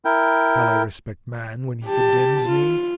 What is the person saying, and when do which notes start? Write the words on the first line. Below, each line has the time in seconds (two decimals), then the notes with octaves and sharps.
Shall I respect man when he condemns me?
0.05 E4 A#4 G5
1.85 G4 A5
2.48 F4